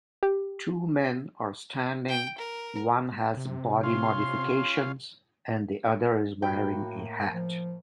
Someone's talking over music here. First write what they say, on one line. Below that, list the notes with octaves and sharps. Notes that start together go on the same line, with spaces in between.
Two men are standing one has body modifications and the other is wearing a hat.
G4
G5
A#4
C3
C#4 F4 F5 C6
A2 A#3 F#4 G5 B5
F3